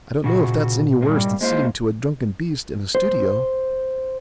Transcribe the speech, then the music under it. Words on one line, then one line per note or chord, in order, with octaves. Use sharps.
'I don't know if that's any worse than sitting to a drunken beast in a studio.
A#2 C#3 F#4
C2 G2 G3 A#3
G#3 A#3 E4 F4 C5
C5